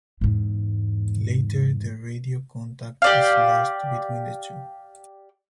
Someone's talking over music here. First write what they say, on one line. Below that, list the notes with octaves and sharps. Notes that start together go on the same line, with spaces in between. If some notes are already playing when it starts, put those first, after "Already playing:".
Later the radio contact is lost between the two.
E2 G#2
G4 D5 F5